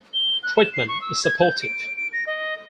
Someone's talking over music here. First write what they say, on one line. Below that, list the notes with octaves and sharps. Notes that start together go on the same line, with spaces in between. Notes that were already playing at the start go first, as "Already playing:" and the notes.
Treatment is supportive.
G7
F#6
E7
C7
C#6
E6
G#6
G6
D7
D7
A#6
D#5